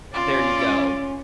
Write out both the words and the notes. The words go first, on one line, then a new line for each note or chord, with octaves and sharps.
There you go.
C#4 F4 D5